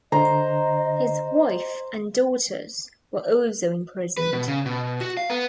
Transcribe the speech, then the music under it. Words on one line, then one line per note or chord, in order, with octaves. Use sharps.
His wife and daughters were also imprisoned.
D3 C5 D#5 A#5
B4
B2
C#3
B2
F#4
F5
B3